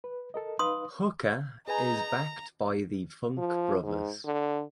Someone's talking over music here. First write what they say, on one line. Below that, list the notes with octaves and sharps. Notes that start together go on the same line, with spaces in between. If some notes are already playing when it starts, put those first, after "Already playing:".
Hooker is backed by the Funk Brothers.
B4
A4 A#4 D#5
D#4 B4 F5 C6 D#6
D#4 G#4 B4 G#5 A#5
F3
G#2
D3